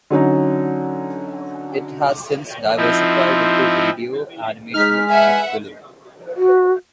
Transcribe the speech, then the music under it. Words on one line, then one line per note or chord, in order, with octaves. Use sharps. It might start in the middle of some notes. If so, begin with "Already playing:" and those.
It has since diversified into radio, animation and film.
D3 F#3 C#4 D#4
F3 C4 D#4 E4
G#3 D#4 F6 B6
B4 E5 F#5 G#5
F#4